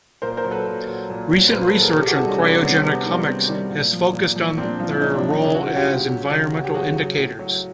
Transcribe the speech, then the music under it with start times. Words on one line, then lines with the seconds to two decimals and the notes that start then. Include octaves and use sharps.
Recent research on cryogenic hummocks has focused on their role as environmental indicators.
0.22 A#2 A#4 C5
0.37 A#4 C5
0.44 F#3
0.51 A4 B4
0.66 A#2
0.87 F#3
1.10 A#2
1.31 F#3
1.48 B4
1.52 A#2 A#4 C5
1.63 C5
1.67 A4 B4
1.74 F#3
1.81 G#4 A#4
1.96 C3 G4 A4
2.07 F#4 G#4
2.17 D#3 G3 G4 A4
2.28 C#4 D#4
2.39 C3 C4 D4
2.61 D#3 G3 B3 C#4
2.83 C3 B3
3.05 D#3 G3
3.27 C3 C4
3.48 D#3 G3
3.70 A#2
3.93 F3
4.13 A#2
4.36 F3
4.57 A#2 C4 D4
4.80 F3 F4
4.89 E4
5.00 A#2 C#4 D#4
5.15 D4 E4
5.22 F3
5.30 C#4 D#4
5.44 C#3 D4 E4
5.55 E4 F#4
5.65 F#3 E4 F#4
5.76 F4 G4
5.88 C#3
6.09 F#3
6.31 C#3
6.53 F#3
6.64 G4
6.74 C#3 F#4 G#4
6.97 F#3
7.17 A2
7.39 F#3